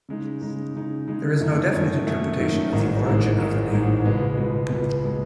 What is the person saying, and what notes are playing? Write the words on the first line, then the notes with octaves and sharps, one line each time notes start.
There is no definite interpretation of the origin of the name.
C#3 G#3 D#4
C#3 G#3 D#4
C#3 G#3 D#4
C#3 G#3 D#4
F#2 D#3 A3 D#4
F#2 D#3 A3 D#4
F#2 D#3 A3 D#4
F#2 D#3 A3 D#4
A1 G#2 D#3 G#3
A1 G#2 D#3 G#3
A1 G#2 D#3 G#3
A1 G#2 D#3 G#3
C#2 B2 G#3 B3
C#2 B2 G#3 B3
C#2 B2 G#3 B3
B2 G#3 B3